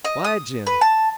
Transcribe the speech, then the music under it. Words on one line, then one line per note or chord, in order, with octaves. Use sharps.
"Why, Jim?"
D#5
D#6
B4
A5